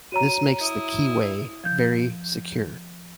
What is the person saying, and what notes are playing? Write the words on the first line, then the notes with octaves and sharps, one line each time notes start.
This makes the keyway very secure.
F#4 C#5 A#5 D#7
E4 D#6
F3 G6